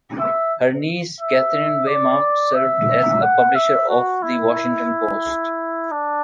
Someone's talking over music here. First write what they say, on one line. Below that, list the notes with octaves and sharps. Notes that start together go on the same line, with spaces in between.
Her niece, Katharine Weymouth, served as publisher of "The Washington Post".
E5
E5
D5
E5
F#5
E5
F#4
E4
D4